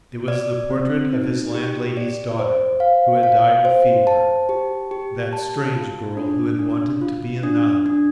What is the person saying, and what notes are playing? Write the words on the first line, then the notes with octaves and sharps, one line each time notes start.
It was the portrait of his landlady's daughter, who had died of fever, that strange girl who had wanted to be a nun.
D5
C4
D#4
G4
D5
C5
F5
F5
C5
A5
G4
G4
A5
F4
D4
D4
F4
D4
D4